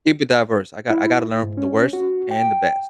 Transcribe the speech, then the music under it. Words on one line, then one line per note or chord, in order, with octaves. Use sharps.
Keep it diverse, I got I gotta learn from the worst and the best,
E4
G#2
C#4
F#4
G5